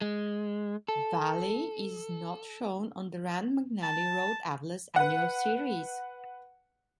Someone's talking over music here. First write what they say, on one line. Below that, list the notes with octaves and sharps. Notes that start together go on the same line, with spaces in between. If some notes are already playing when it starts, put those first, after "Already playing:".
Valle is not shown on the Rand McNally Road Atlas annual series.
G#3
A4
A5
B4 F#5